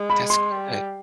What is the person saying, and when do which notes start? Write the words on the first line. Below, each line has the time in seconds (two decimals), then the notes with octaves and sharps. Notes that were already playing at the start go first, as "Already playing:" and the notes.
That's good.
Already playing: G#3
0.10 B5
0.30 C6
0.51 G3